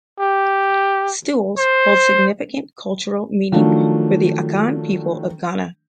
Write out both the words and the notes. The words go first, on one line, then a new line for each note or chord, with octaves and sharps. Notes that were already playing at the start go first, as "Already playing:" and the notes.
Stools hold significant cultural meaning for the Akan people of Ghana.
G4
C5
D#3 F3 F#3 A3 D4